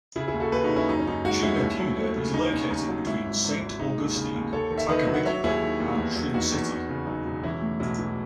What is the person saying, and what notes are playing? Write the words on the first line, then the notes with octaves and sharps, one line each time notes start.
Tunapuna is located between Saint Augustine, Tacarigua and Trincity.
C#3 E4 G#4
E4 G#4
D#2
F#4 A4
D#2 G#4 B4
D#4 F#4
C#3
C#4 E4
F#2 D#4
C#4
F#2 D#4
G#3 D#4 F#4
G#3 C#4 E4
D#2
F#3
A3
C#3
D#2 D#4
D#2 C#4
D#2 D#4
F#3
G#2 C#4 E4
G#1
G#1
G#1
E4
G#3 D#4
D#2
C#3
D#2
D#2 A4 C#5
D#3
E5
D#3 B4 D#5
F#3
F#5
F#3 C#5 E5
D#2 E4 G#4
D#3
D#2
E2
F#3
E2 D#4 F#4
E2
E2
C#3
F#3 D#4
E1
E3 C#4 E4
A2
B1 C#4 E4
E3